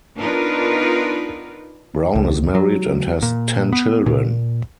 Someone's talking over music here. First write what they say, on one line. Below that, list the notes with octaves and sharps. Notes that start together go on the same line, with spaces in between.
Brown is married and has ten children.
B3 D4 D#4 F4 A#4 B4
C#2
F#3
A#2
B3
A#2